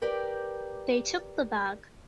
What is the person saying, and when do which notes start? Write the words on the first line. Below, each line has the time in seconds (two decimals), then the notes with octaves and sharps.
They took the bag.
0.02 G4 A#4 B4 D5 G5